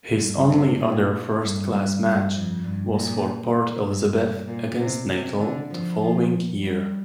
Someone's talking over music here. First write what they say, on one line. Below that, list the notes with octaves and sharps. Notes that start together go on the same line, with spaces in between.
His only other first-class match was for Port Elizabeth against Natal the following year.
G2
C3
A#2
G2
G2
G2
F2
G2
A#2
G2
A#2
C3
C3
D3
F3
F3
G3